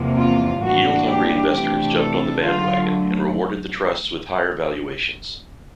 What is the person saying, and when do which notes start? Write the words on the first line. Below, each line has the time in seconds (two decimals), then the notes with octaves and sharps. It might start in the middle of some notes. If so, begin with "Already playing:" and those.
Yield-hungry investors jumped on the bandwagon and rewarded the trusts with higher valuations.
Already playing: E2 C3 F3 A#3
0.17 F4
0.61 A2 E3 G3 A#3 D4 F#4
1.07 G4
1.51 C3 E3 A3 D4 G4
1.96 A4
2.41 D3 F#3 A3 F4